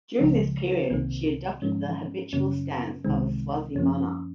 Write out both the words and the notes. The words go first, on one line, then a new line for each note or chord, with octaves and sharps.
During this period she adopted the habitual stance of a Swazi monarch.
C#2 C#3 F3 G#3
C2 C3 D#3 A#3 C4
G#2 F3 G#3 C#4
F#2 C#3 F#3 A#3 C#4
C2 C3 D#3 G#3 C4
F#2 F3 A#3 C#4